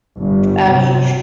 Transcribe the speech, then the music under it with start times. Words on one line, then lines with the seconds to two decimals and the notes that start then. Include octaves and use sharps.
I mean,
0.21 G1
0.68 C3